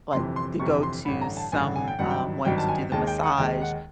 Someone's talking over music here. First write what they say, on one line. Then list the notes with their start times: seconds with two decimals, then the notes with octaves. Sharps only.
like, to go to some, um I wanted to do the massage,
0.13 G1 F2 C3 E3 C6
0.36 C6
0.59 G1 F2 C3 E3 C#6
0.83 C6
1.05 A1 G2 D3 B5
1.21 A#5
1.37 A5
1.52 A1 G2 D3 G#5
1.76 G#5
1.88 G5
1.99 G#1 G2 D#3 F#3 F#5
2.11 G5
2.45 G#1 G2 D#3 F#3 G5
2.58 A5
2.68 G#5
2.92 D#2 D#3 G#3 A5
3.07 G5
3.23 F#5
3.38 D#2 D#3 G#3 G5
3.61 F#5